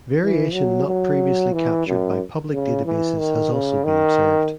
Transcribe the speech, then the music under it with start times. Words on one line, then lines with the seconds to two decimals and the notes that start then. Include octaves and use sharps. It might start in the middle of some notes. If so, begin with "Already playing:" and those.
Variation not previously captured by public databases has also been observed.
0.21 E3
0.53 F#3
0.87 F#3
1.53 E3
1.86 F#2
2.52 C#3
2.85 E3
3.19 D#3
3.52 C#3
3.84 D#3